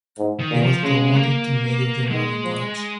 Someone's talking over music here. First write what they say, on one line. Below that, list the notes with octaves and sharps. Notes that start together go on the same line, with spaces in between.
He was promoted to major general in March.
G#2
D#3
A#2
F3
C#3 G#3
A#3
D#3 G#3
F3